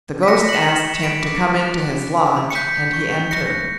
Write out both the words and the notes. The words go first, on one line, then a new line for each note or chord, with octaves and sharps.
The ghost asked him to come into his lodge, and he entered.
B6
F#6 A#6 C#7
F#6 F#7
C#7 E7
C#6
C#7 E7
C#6
B5 B6 D7
D6
B5
F#6
F#6
F#6
B5
B5
C#7
F#6 G6 B6
F#6
C#6
C#6
F#6 A#6 C#7
F#6